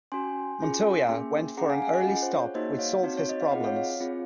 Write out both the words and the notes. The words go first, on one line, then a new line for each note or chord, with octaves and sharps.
Montoya went for an early stop which solved his problems.
C#4 F#4 G#5 C6
C#4 F4 G#4
A#3 C#4 G#4
C#4 G#4 F#5 A#5
F5 G#5
F5 G#5
D#5 F#5
C#4 F4 G#4
C5
C#5
A#3 D#4 F#4 C5 D#5
C#5 F5
C4 D#4 F#4
C#5
D#5
F5
C4 F4 G#4 D#5 F#5
C#5 F5
C#5 F5
C4 F4 G#4